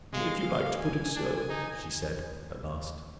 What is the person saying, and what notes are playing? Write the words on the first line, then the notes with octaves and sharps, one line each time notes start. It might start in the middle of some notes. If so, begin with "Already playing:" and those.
"If you like to put it so," she said, at last.
G#3 F5
G#5
D4
D#4